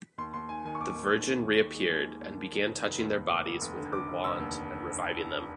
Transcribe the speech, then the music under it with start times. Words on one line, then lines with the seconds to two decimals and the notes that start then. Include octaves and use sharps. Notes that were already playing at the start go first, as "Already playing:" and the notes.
The Virgin reappeared and began touching their bodies with her wand and reviving them.
0.18 D#2 C6
0.33 D#2 C6
0.49 D#3 G#5
0.65 D#3 G#5
0.75 C#6
0.80 D#2 D6
0.96 D#2
1.12 D#2
1.27 D#3
1.43 D#2
1.58 D#2
1.74 G#3
1.89 D#2
2.06 D#2
2.21 D#2
2.37 D#2
2.53 D#3
2.68 F1
2.84 F1
2.99 D#2
3.14 F1
3.30 F1 D6
3.46 F1
3.61 F1
3.77 D3
3.92 D3 D6
4.08 F1
4.24 F1 E6
4.39 D#2